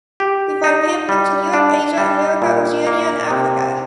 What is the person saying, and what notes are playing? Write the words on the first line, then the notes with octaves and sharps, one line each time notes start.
We find Pan flutes in Europe, Asia, America, Oceania and Africa.
G4
D#4
G3
D4
G3
A#2
A#3
C3